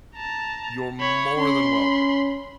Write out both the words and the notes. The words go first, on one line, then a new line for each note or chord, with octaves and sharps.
You're more than welcome.
A5 A#5
C#5 B5
C#4 B5 C6